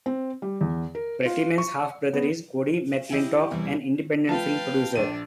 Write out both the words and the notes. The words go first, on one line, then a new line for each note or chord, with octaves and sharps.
Prettyman's half-brother is Cody McClintock, an independent film producer.
C4
G3
E2
A#4
F4
C#6
B3
E4 G4 D#5
E2 C3 E3 G3 E4 C#5
F3 A3 F4 B4 F5 G5 A5
A#1 D4 D#7